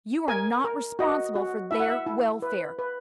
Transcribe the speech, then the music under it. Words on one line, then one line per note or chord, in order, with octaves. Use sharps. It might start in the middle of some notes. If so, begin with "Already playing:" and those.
You are not responsible for their welfare.
A#4 G#5
A#4
F#4 D#5
F#4
E4 E5
F#5
E5
E4
B4
B4